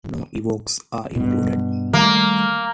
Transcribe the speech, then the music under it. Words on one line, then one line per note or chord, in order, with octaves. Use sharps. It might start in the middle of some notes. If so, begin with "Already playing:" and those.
No Ewoks are included.
G2 B2
D#3 G3 A3 A#3